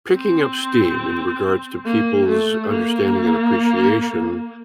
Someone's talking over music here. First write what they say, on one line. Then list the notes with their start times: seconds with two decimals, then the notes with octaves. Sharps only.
picking up steam in regards to people's understanding and appreciation
0.13 C4
1.85 A#3
2.28 A3
2.70 A#3